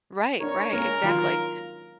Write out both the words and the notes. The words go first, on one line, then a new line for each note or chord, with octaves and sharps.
Right, right, exactly.
D4 D#4 A#4 C#5
G#3 A#3 C#4 A#4
D#3 F#3 F4